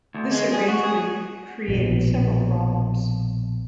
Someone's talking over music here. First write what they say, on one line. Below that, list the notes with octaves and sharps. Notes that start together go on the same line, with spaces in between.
This arrangement created several problems.
D2
G#3
G#4
F#4
G#4
A#1 B2